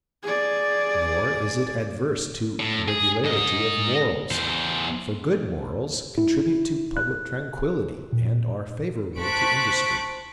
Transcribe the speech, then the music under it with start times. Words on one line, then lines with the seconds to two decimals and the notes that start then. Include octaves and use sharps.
Nor is it adverse to regularity of morals, for good morals contribute to public tranquillity and are favorable to industry.
0.23 G#4 D5
2.59 A2
2.88 G#4
3.24 G#2 D#5
4.31 E2 C5
6.18 E4
6.97 F#6
8.13 A#2
9.19 C5 A5 C#6 F#6 B6 D7